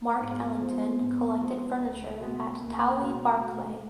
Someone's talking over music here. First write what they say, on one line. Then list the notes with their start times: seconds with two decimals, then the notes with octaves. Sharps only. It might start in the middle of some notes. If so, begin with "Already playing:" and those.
Marc Ellington collected furniture at Towie Barclay.
0.21 G#2 B3
0.61 F3 G#3 C4
1.00 G#2
1.41 F3 G#3 C4
1.80 C#2
2.20 B2 G#3 B3
2.60 C#2 A#3
2.99 B2 G#3 B3
3.39 B2 A3